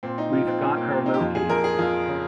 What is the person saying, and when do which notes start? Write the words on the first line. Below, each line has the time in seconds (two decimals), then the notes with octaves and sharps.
We've got her located.
0.03 A#2 C4
0.18 D#4
0.32 F3 F4
0.47 C4
0.62 A#2 C#4
0.76 A#3
0.91 A#2 C4
1.06 D#4
1.14 G4
1.20 F2 F4
1.35 G#4
1.49 F2 A#4
1.64 G#4
1.78 F2 F4
2.08 C#3